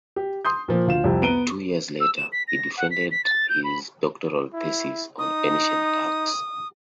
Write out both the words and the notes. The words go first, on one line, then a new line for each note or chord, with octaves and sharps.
Two years later, he defended his doctoral thesis on ancient Turks.
G4
C6 D#6 G6
A#2 F3
D2 F4 E7
C2 F2 C3
B3 A#5 D7 D#7 G7
E6
E7
B6
A#6
F#5
B6
B6
A6
G6
B5
E4
D#4 D#6